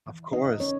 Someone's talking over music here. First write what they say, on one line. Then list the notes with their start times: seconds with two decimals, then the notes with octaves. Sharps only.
Of course,
0.06 E3
0.26 E3
0.33 D#4 D#5
0.46 C#3
0.60 C#4 C#5